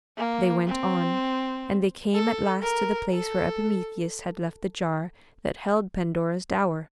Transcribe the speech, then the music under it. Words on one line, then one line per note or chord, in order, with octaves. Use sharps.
They went on, and they came at last to the place where Epimetheus had left the jar that held Pandora's dower.
A#3
C4
A4
A#4
A4